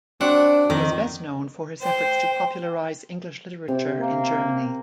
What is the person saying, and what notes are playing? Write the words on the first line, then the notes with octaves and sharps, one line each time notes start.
He is best known for his efforts to popularize English literature in Germany.
C4 D4 F#4 F#5
F2 D#3
C5 G5
C3
A#3